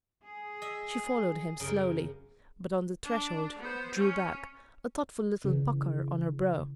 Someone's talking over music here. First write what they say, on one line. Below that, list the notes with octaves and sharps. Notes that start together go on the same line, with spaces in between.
She followed him slowly, but on the threshold drew back, a thoughtful little pucker on her brow.
G#4
D#5 E5
F#2 C#3 A#4
D4
B3 C5
C#4
C#3 E3